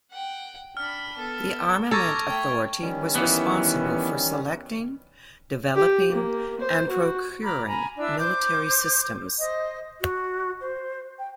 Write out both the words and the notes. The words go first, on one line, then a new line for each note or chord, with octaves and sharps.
The Armament Authority was responsible for selecting, developing, and procuring military systems.
F#5 G5
D4 B5 F6
B3 A4
A4 A#5 C#6 D6 G#6 F7
A3 G5
D#3 G3 C#4
E3 B3
G4
A#3
C5
F#4
A#5 B5 D6 F6
G#5 A#5 B5
D4 E4 E6
C5 D6 G6
C5 D#5
F#4
C5
G5